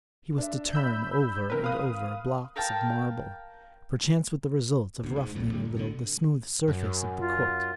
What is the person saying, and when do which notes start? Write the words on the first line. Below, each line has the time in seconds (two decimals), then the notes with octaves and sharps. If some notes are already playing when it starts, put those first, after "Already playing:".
He was to turn over and over blocks of marble, perchance with the result of ruffling a little the smooth surface of the court!
0.38 D4 E5
0.73 B5 E6 G6
1.50 E3 C4 A#4 B4
1.64 F5 B5 D#6 F#6
2.56 A#4 F5 G5 A5
5.04 D2 B2
5.16 G#2
5.35 D#1 B1 F2 A2
5.52 A#2 D3 F#3 G3
5.65 G1
5.77 B2 D3
6.68 F#2
7.19 F4